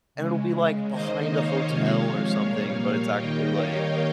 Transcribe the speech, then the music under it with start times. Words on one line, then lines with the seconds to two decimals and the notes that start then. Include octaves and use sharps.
and it'll be, like, behind a hotel or something, but it's actually, like,
0.15 C#3 G#3
0.90 D#3 A#3 C5 D#5
1.28 C#5 F5
1.65 C3 F3 G#3
2.03 C#5 F5
2.41 A#2 G3 A#3
3.15 D#3 G3 A#3 D#5 G5
3.53 C#5 F5